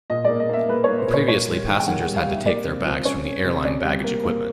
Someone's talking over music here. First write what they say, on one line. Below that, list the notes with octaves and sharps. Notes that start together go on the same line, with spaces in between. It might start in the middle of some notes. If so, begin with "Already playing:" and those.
Previously passengers had to take their bags from the airline baggage equipment.
A#2 D#5
A#3 D5
D#5
A#3 E5
A#3 B4
A#3 C#5
C5
A#2
C#5
A#3 C#5
G3
D#3
G5
D#3 F#5
F#5
G3
F5
G3
E5
A#3 D5
C3
F3
C#4 C#5
C#4
C3
C#4 D5
G3
A#3
A#3